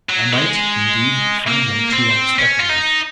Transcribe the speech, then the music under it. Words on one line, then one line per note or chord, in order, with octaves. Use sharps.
I might, indeed, find them too unexpectedly!
F#3
G#3
A#3
C4
C#4
F4
D#4